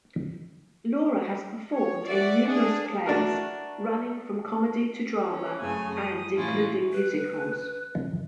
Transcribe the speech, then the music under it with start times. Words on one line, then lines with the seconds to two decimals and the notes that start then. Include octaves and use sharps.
Laura has performed in numerous plays, running from comedy to drama, and including musicals.
1.73 C#5
2.05 D5 E5 F#5
2.46 D4 G#4
3.06 A3 D4 F#4 A#4
5.25 C#4
5.60 F#2 C#3 A3 G#5
5.94 D#6
6.37 A2 E3 C#4 E4 F4
6.93 B4